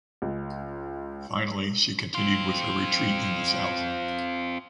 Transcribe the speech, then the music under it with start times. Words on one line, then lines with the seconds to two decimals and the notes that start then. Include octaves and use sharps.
Finally, she continued with her retreat in the south.
0.22 C#2
2.15 C4 F4